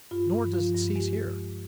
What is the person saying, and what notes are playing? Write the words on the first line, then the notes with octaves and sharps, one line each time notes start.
Nor does it cease here.
G2 F4
G2
F3 F4
G2
G#3 G4